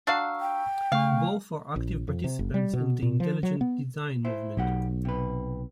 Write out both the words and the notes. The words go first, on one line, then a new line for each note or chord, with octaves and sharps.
Both are active participants in the intelligent design movement.
D4 F#4 F5 A#5 C#6 E6
G5
C#3 A3 F5 C#6
A#1
F2
C3
F#1
G3
B2
A#2
F3
F#3
B3
E4 C5
B1 B2 G4 F#5
C3 B4